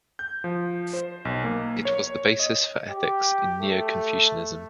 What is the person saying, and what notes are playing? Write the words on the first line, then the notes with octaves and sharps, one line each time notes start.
It was the basis for ethics in neo-Confucianism.
G6
F3
C5
B1
A#3
C#5
D#5
G4
A3